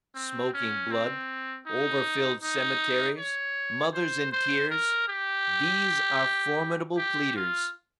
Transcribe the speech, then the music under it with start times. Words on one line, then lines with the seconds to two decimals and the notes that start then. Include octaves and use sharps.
Smoking blood, over-filled cemeteries, mothers in tears,--these are formidable pleaders.
0.15 C4
0.54 C#4
0.91 C4
1.66 D#4
2.43 D#4
3.18 C#5
3.94 C5
4.32 C5
4.70 A#4
5.08 G4
6.97 G4
7.36 F4